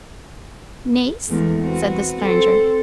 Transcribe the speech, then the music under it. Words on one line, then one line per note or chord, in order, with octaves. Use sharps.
"Niece?" said the Stranger.
E2 G#3 A3
C4 F#4 B4
C4 A4 C5